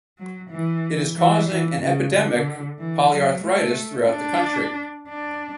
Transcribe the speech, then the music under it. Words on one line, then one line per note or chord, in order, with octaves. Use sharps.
It is causing an epidemic polyarthritis throughout the country.
F#3
E3
E3
E3
C#3
D3
E3
F#3
A3
D4
D4